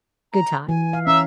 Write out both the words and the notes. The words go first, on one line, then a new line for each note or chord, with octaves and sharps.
Good times.
A#5
E3 G#5
F5
C#4 E5 A#5